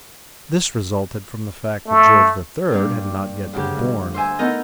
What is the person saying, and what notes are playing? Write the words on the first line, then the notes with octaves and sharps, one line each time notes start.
This resulted from the fact that George III. had not yet been born.
A3
G2 G3 A#3 D4
D2 C#3 G4
G2
C5 E5 G#5
A3 B3 D#4 A#4 D#5 G6